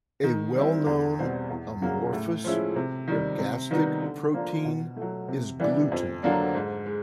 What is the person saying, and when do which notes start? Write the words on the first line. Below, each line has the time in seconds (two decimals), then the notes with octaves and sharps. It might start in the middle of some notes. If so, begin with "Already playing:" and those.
A well-known amorphous ergastic protein is gluten.
0.23 D#3
0.55 G3 C4 E4
0.86 E2
1.19 B2 G3 C4
1.50 E2
1.82 C#3 F#3 A#3
2.13 A2
2.44 F3 G#3 C#4 E4
2.76 C3
3.08 D#3 G3
3.39 C3
3.71 D#3 G3 B3 D#4
4.02 D3
4.33 F3 A#3 D4
4.65 B2
4.97 F#3 A3
5.28 C3
5.59 E3 G3 B3 D4
5.92 F2
6.23 D3 F#3 A#3 D4
6.55 G#2
6.86 G#3